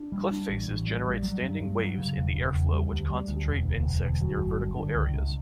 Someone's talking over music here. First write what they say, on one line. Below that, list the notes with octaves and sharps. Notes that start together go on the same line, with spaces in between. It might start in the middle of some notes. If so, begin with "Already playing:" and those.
Cliff faces generate standing waves in the airflow which concentrate insects near vertical areas.
Already playing: D4
G3
D4
A1
A1
G3
G3
F#3
G2
G2
F#3
C#3
E1
C#3
E2
G3
D2
G3
D2
E1
D2
E1
D2
F#3
G1
G2
D3
C#2
C#2